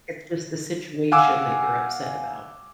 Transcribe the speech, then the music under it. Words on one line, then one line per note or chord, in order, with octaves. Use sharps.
It's just the situation that you're upset about.
F5 F#5 G#5 D6 E6